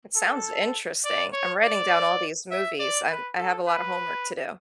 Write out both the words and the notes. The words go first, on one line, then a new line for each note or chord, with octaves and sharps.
It sounds interesting. I'm writing down all these movies, I'm I have a lot of homework to do.
A4
D5
C#5
D5
E5
D5
B4
A4
B4